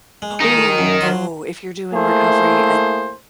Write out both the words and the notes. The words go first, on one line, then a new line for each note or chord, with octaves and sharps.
Ooh, oh, if you're doing recovery at
G#3
D#3 D#4
F#2
F#3 C6
A3 A#3 E4 G#4 C5